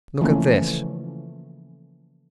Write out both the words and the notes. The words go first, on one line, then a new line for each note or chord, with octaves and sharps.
"Look at this!"
C#3 E3 F3 A3 A#3 C#4